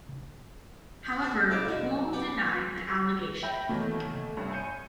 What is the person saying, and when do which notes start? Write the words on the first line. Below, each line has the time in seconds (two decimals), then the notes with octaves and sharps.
However, Gul denied the allegations.
1.22 F#4 C5
1.50 F2 C#3 E4 C5 D6
1.65 B1 B2 D3 F#4
2.13 B3 G4 B4 D5 F#5 G5
3.43 E5 G5 B5 G6 A#6
3.69 B2 D#3 E3 F#3 A3 A#3
4.37 C2 G2
4.52 G#5 G6 C#7 D#7